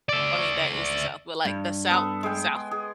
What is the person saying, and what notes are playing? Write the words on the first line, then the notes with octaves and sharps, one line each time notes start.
Well, I mean, that is the South, but, like, the South, South.
D5 E5
G2
B3 A4
G#3 G5
G#4